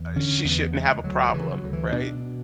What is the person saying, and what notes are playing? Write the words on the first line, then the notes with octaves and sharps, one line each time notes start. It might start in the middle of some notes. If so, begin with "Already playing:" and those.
uh, she shouldn't have a problem, right?
Already playing: E2
D3 C#4
E2 B3
C#3 G#3
D2 F#3
F#3
C#3 E3
F#3
D2
E3
B2 D4